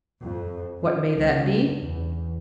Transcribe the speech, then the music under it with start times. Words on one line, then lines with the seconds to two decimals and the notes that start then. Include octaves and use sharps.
What may that be?
0.23 F2
0.80 F3
1.19 C#2
1.80 E2